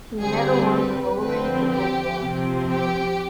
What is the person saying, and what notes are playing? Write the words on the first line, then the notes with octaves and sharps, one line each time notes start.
He never won clothing he could wear.
D3 G3 C4 G#4
B4
D3 F3 C4 B4
G4
C3 F3 C4
G4